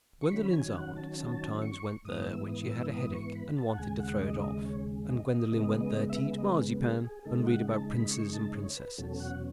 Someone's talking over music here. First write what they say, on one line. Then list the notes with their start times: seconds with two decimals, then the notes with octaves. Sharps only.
Gwendolen's aunt sometimes went there when she had a headache and wanted to throw it off; and Gwendolen went there to eat marzipan and read about Princes and Princesses.
0.21 C#6
0.32 D#3 F#3 C#4 B5
0.53 G#5
0.75 F#5
0.96 A5
1.18 A5
1.62 C#6
2.05 G#2 E3 B3 D#6
2.27 E6
2.49 D#6
2.70 E6
2.92 D#6
3.13 C#6
3.35 B5
3.57 A5
3.69 F#5
3.78 D#2 C#3 G#3 G#5
4.00 F#5
4.21 D#5
4.43 D#5
4.65 C#5
5.09 D#5
5.30 D#5
5.52 C#3 G#3 B3 D#5
5.81 D#5
6.10 E5
6.38 D#5
6.82 G#4
7.04 G#4
7.25 C#3 G#3 D#4 A4
7.47 F#5
7.68 A5
7.90 B5
8.11 C#6
8.33 A5
8.55 C#5
8.77 B4
8.98 E2 B2 F#3 C#4 A4
9.20 F#5